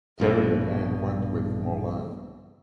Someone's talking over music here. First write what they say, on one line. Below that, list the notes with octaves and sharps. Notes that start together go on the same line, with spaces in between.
Terry and Anne went with Morlan.
A#1 G2 B2